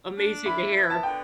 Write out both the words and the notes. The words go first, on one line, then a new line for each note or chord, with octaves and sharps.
amazing to hear.
D4
E4 B5
B3
A5
D3 G5